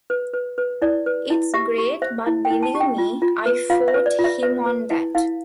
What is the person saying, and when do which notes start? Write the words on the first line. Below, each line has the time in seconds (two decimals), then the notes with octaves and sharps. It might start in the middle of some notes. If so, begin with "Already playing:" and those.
It's great but believe me I fought him on that.
0.10 B4
0.33 B4
0.58 B4
0.82 E4 D5
1.06 B4
1.30 E4
1.54 G4 E5
1.78 G4
2.02 C5 E5
2.27 E4
2.45 G5
2.50 E4
2.63 A5
2.75 G4
2.80 G5
2.98 F4
3.22 F4
3.46 B4
3.70 F4 F5
3.88 E5
3.94 B4
4.06 D5
4.19 F4
4.24 E5
4.43 B4 E5
4.66 B4
4.91 E4
5.15 E4 F5